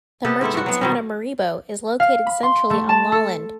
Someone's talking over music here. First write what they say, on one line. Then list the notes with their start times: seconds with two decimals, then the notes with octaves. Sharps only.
The merchant town of Maribo is located centrally on Lolland.
0.25 C3 B3 G4 A4
0.41 G#2 C4 E4 A4
0.54 G2 F#4
0.66 F#3 B3
0.81 B2 D#3 G3
2.00 F5
2.27 B5
2.43 C6
2.70 A3
2.89 A5
3.12 A4